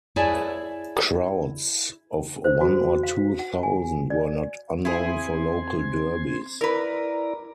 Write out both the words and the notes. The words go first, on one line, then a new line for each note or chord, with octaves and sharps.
Crowds of one or two thousand were not unknown for local derbies.
E4 G#4 C#5 D5 G#5 A5
C5
F#4
F5
F#5
G#5
D5
C4 E4 G#4 C6 G#6
E4 A#4 B4 D5 A#5